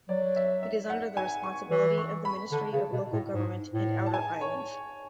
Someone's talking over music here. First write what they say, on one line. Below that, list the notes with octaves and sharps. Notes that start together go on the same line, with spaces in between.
It is under the responsibility of the Ministry of Local Government and Outer Islands.
F#3 D5
E5
E5
F#5
G#5
C#6
E3
C#6
B5
D3 A5
C#3
B2
A2
G#2
A2
A5
G#5
C#5